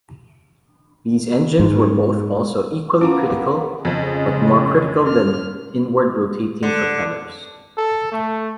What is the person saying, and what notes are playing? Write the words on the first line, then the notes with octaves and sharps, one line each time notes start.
These engines were both also equally critical, but more critical than inward rotating propellers.
G#2
A#3 B3 C#4 F4 A#5 D6
F2 C#3 G#3
C#4 F6
D3
A4
A3